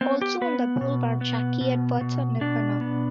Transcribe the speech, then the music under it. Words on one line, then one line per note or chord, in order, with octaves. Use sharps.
Also on the bill were Jackie Edwards and Nirvana.
B3 C4
G4
B3 B4
B2
B3
B2
B2
B2 D4
B3